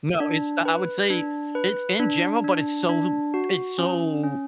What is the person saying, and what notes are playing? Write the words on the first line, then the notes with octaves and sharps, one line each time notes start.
No, it's I I would say it's in general but it's so l it's so
D4
B4
D4
B4
D4
D4
D4
F#4
C#4
C#4